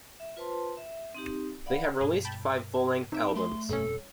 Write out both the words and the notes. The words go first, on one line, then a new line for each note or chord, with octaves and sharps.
They have released five full-length albums.
E5
F4 B4 C5 A5 C6
E5
C4 D#4 G4
D5 F5 F#5 B5
G2 B2 G#4
G5 A5 B5
C3 D#4 E5 D7
A3 C6
F1 G2 B2 C4 C#4 A4